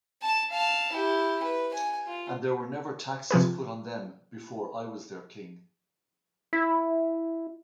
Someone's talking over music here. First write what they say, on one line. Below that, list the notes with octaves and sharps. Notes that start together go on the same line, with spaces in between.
And there were never taxes put on them before I was their King.
A5
F5 A5
E4 G4
B4
G#5
F4
C3 F3 G#4 B4
E4